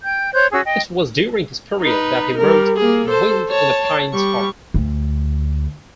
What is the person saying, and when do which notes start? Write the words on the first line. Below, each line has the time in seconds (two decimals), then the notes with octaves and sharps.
It was during this period that he wrote "Wind in the Pines Hall".
0.02 G5 G6
0.33 C5 C#5 F#6 G6
0.52 C#4 F#4 G#4 E6
0.65 D#5 G5
1.81 D#4 B4
2.38 G3 A#4
2.77 A#3 G#4
3.09 A4 C5
3.49 C#5 A5
4.14 G3 C#6
4.74 D2